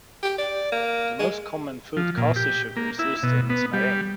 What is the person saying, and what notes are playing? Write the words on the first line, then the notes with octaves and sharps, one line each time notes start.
The most common food caster sugar is used in is meringue.
G4
D5
A#3
G#3
F3
A#2
G4
A#3
E4
B2
B3
G3